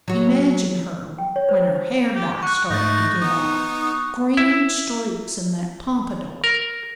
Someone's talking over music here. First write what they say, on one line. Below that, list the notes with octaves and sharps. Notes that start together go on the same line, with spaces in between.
Imagine her when her hair dye started to give out--green streaks in that pompadour!
F#3 F#4
G5
C#5
C5
C5
G4
F#5 C#6 F#6
G#2 A3 D#4 A6
B3 D#4 D#6
E4
A#4